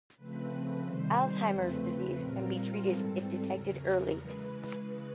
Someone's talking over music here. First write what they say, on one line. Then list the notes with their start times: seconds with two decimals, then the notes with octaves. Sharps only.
Alzheimer’s disease can be treated if detected early.
0.16 C#3 F3 A3 C4 B4
0.84 C3 D#3 G3 C5
1.50 E2 C#3 F3 A3 C4 B4
2.17 A#2 G3 C4 F4 A#4
2.83 G#2 E3 G3 C4 A4
3.50 E2 C#3 F#3 A#4
4.16 C#3 E3 G#3 B4